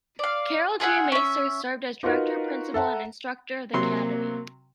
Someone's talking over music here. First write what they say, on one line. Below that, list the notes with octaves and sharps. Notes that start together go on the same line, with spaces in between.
Karl G. Maeser served as director, principal, and instructor of the academy.
D5 F5
F4 G#4 E5 F#5
C#4 E5
D#4 F4 F#4 A#4 B4
A4 E5 F#5 A5 A#5
C3 F#3 A#3 C6